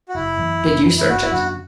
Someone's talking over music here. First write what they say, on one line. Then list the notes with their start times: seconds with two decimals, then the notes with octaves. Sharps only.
"Did you search it?"
0.09 F#4
0.15 F#1 E4
0.37 F#2 E3
0.61 F#1
0.84 F#2 E3
0.98 E4
1.08 G1 F#4
1.21 E4
1.31 F#2 D3 F#4